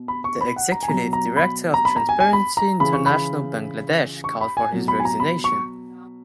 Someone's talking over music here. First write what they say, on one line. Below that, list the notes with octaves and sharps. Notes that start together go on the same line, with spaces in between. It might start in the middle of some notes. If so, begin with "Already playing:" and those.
The executive director of Transparency International Bangladesh called for his resignation.
Already playing: B2
B5
C#6
B5
F#5
A#5
G#5
B2 F#3 A#5
A#5
B5
A#5
B5
A#5
G#5
G#5
B5
A#5
C#3 E3 B5
C#6
B5
C#6
B5
G#5
B2 F#3
B5
G#5
A#5
B5
C#6